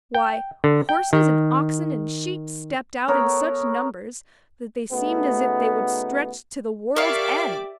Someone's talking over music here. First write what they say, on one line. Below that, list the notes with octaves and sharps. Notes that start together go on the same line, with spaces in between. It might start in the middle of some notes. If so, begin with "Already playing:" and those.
Why, horses and oxen and sheep stepped out in such numbers that they seemed as if they would stretch to the world's end!
G5
D3
G5
D#3
B3 A4 A#4 C#5
C#3 A3 B3 D#4 F#4
G4 A#4 C#5 D5 E5 F5 D6